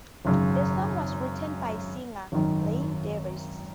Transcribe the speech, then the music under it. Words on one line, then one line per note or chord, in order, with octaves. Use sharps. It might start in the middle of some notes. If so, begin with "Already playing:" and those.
The song was written by singer Lynn Davis.
G#1 F#2 C#3
G#1 F#2 D#3